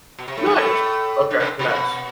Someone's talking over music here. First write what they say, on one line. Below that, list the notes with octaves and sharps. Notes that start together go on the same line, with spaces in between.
Nice. Okay, nice.
B2
C3
A2 A3
G2 G3
A2 A3
D3 D4
C3 C4
C3 C4
B2 B3